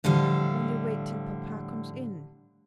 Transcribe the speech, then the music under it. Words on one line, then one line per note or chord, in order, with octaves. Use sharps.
'Only wait till papa comes in.
A2 D3 F3 G3 F5